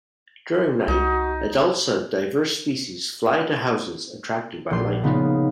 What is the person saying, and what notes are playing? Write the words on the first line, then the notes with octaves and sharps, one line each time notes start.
During night, adults of diverse species fly to houses attracted by light.
C2 D#4 F#4
A#1 C6
C#3 B3 D#4 F4